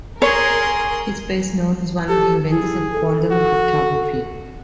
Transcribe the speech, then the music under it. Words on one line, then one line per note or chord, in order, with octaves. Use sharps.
He is best known as one of the inventors of quantum cryptography.
G#4 A#4 C#5 G#5 C6
G4 A4
E4 G#4
A4
F#4